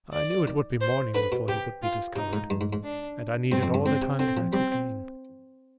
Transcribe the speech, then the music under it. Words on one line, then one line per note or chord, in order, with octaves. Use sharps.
I knew it would be morning before he would be discovered, and I needed all the time that I could gain.
D5
D#3
C5
D3 B4
B2
C3 G4
F4
C3 D#4
G#2
G2
G#2
G#2
D4
G2 C4
F2
G2
G#2 C4
C3
D3 C4
F3
G3 C4